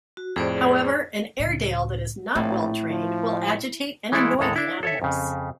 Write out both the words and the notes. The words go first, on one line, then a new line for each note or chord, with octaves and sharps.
However, an Airedale that is not well trained will agitate and annoy the animals.
F#4
F2 A2 G#4 C5 D5
C#2 A2
A#1 A2 C4
F3
E3 G#3 A3 E4 A4 D5
D#2 A2 G#3 A4 A#5
D4 E4
A4 C#5 E5
F2 C#3